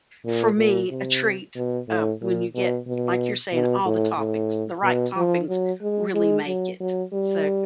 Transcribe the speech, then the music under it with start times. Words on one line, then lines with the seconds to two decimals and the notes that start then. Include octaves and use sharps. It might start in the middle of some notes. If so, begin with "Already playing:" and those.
for me, a treat, uh, when you get like you're saying, all the toppings, the right toppings really make it, so
0.25 A#2
0.58 A#2
0.91 C3
1.56 B2
1.89 A2
2.21 A#2
2.55 B2
2.87 B2
3.52 B2
3.85 A2
4.18 A2
4.83 B2
5.16 F3
5.49 F#3
5.82 G#3
6.15 G#3
6.47 F#3
6.80 F#3
7.13 G3